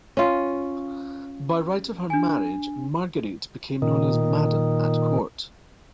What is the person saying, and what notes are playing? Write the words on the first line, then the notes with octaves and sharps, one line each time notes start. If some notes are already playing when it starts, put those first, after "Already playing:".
By right of her marriage, Marguerite became known as "Madame" at court.
C#4 F4
D4 G#5
A#2 D#3